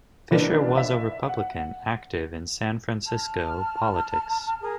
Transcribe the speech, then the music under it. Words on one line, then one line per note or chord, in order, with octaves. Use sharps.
Fisher was a Republican, active in San Francisco politics.
C#2 E3 A#3 D4 B4
E5
F#5
A5 F6
G#4 A#4 D#6